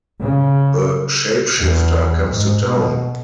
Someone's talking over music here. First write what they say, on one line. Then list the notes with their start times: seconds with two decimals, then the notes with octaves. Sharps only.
A shapeshifter comes to town.
0.22 C#3
1.61 E2
2.29 G#2
2.63 B2